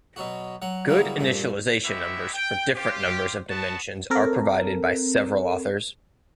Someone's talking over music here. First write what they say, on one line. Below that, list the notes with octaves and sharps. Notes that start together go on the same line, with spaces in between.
Good initialisation numbers for different numbers of dimensions are provided by several authors.
B2 F#3 F#4
F#3 F#5
C#3 E3 F#3 G3 A#3
G2 A#2 A3
G#3 E4 F#4 G4 E5
G5
F4 G4
B3 F#4 A5
C4 A4 A#4